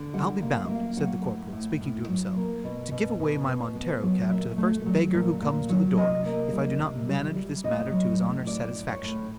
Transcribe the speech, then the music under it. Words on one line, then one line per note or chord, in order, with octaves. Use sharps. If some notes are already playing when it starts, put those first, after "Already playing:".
I'll be bound, said the corporal, speaking to himself, to give away my Montero-cap to the first beggar who comes to the door, if I do not manage this matter to his honour's satisfaction.
Already playing: D3
G3 F#5
A#3
F5
E5
A#3
F5
F#3 F#5
A2
A2
A2
F#3
A#3
B2
B2
B2
B2
B3
F#3
A#2 E5
A3
F#3
A#2
A#2
F#3
C3 D#5
A#3
G3
C3
G3
G3
A2 D#5
F#3
A2
A2 D5
A2
C#5
A2